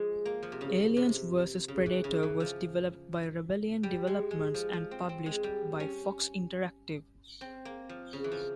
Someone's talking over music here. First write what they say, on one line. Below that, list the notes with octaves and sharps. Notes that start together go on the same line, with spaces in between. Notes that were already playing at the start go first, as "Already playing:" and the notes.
"Aliens versus Predator" was developed by Rebellion Developments and published by Fox Interactive.
Already playing: F3 G#3
A#3
F3
C3
C#3
C3
C#3
E3
C#3
E3
F3
G3
G#3
G#3
F3
F3
C4
C4
G#3
G3
C#4
C4
A#3
F3
C#3
E3
F3